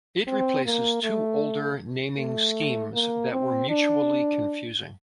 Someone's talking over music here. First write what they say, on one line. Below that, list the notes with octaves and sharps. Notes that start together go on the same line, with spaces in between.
It replaces two older naming schemes that were mutually confusing.
C4
A#3
A3
A3
A#3
C4
D4